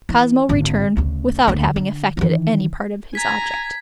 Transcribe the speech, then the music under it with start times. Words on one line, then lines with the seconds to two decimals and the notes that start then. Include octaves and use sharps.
Cosmo returned without having effected any part of his object.
0.09 E3
0.49 G#1 D2
0.97 D2 C#3
1.48 D2 D3
1.76 D3
2.17 D#3 E3
3.15 G#5 A#5 G#6 B6